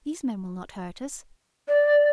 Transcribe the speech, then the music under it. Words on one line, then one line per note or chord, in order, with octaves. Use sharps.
These men will not hurt us.
D5